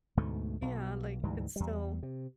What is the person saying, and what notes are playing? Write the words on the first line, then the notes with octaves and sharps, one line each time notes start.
Yeah. Like, it's still
D2 G#2 B2 A3
B1 B2
D2 G#2 E3 G3
E2 G3
C3